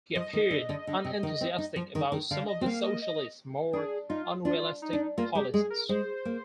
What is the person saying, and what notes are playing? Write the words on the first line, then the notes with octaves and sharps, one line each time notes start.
He appeared unenthusiastic about some of the Socialists' more unrealistic policies.
F3 D#5
D#3
D3
D3
D3
C3
D#3
C4
D#4
F3
D#3
D#3
D3 F5
D#5
C4
A#3 F5
D#5
D#5
D4 G#4
D#4 F4
D4 F4
D#4
D4
A#3 F4
G#3 G4
G#3 G#4
A#4
G#3 C5
A#3